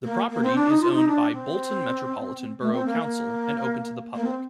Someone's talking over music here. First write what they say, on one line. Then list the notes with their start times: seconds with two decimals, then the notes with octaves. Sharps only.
The property is owned by Bolton Metropolitan Borough Council and open to the public.
0.04 A#3
0.30 A#3
0.43 C4
0.55 D4
0.69 D#4
0.81 F4
0.90 D4
0.94 D#4
1.08 D4
1.33 C4
2.61 A3
2.73 C4
2.86 A#3
2.99 A#3
4.15 A#3
4.25 C4